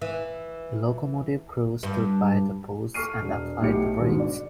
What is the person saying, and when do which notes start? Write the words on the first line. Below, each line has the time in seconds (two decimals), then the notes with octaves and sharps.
The locomotive crew stood by their posts and applied the brakes.
0.02 E3
1.83 G2
2.94 A4 C#6 F6 C7 D#7
3.22 E1
3.61 B1 A2 G4 C#7
3.99 D#2 G#2 B2 D3
4.20 D5